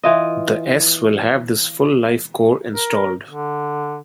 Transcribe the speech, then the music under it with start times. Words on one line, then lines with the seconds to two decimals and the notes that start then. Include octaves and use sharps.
The s will have this full-life core installed.
0.04 E3 F4 D#5
2.73 A#4
3.28 D3